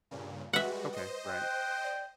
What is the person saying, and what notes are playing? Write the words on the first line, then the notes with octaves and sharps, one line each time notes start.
Okay. Right.
G2 A#2 C#3
G3 G#3 F#4 B4 E5 F#5
C5 D#5
G5 F#6
D5